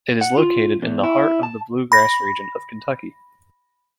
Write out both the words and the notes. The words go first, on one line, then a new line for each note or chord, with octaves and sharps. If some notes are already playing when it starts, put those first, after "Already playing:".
It is located in the heart of the Bluegrass region of Kentucky.
F#5
F4
E2
E4
A5
B5 A#6